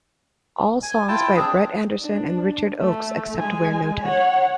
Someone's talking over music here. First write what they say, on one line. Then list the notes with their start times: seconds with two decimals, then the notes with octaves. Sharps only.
All songs by Brett Anderson and Richard Oakes except where noted.
0.83 G#5
1.08 E4 F4 G5 A5
1.36 C4 D4 G#4
2.00 D4
2.80 A3
3.39 G#3 G#5
4.03 C#5 F#5